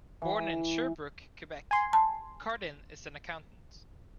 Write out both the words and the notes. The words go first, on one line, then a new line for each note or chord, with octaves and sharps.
Born in Sherbrooke, Quebec, Cardin is an accountant.
E3
G#5 C6
A5